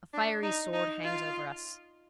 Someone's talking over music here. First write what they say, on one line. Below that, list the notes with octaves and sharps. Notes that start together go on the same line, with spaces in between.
A fiery sword hangs over us.
D4
D#4
D#4
F4